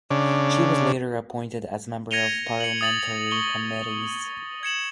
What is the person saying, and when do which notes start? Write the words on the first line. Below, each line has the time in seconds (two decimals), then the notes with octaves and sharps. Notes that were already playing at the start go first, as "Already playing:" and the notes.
She was later appointed as member of parliamentary committees.
0.10 C#3 D4
2.11 G#6 A#6 C#7 D#7 F7 G7
2.60 C#7 F#7
2.81 D#6 A6 F#7
3.31 C#6 G7
4.63 G#6 C#7 E7 F#7